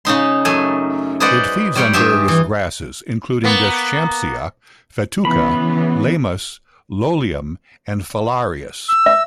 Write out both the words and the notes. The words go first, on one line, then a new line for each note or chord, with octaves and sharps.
It feeds on various grasses including "Deschampsia", "Festuca", "Leymus", "Lolium" and "Phalaris".
C#3 C#4 D#4 C6
F#2 A3 G#5
G#4 B4 C5 D5 D#5 F#5
G3 C#5 G5 B5 C6
G2 G4 G#4 E5 C6
E3
A#3 B3
C#3 E3 B3 B5
E6
E5